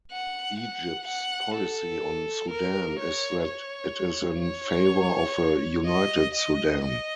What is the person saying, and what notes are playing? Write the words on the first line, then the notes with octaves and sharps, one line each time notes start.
Egypt's policy on Sudan is that it is in favor of a united Sudan.
F#5
F#5
F#5
A4
A#4
C#5
C#5
C#5
D#5
D#5
D#5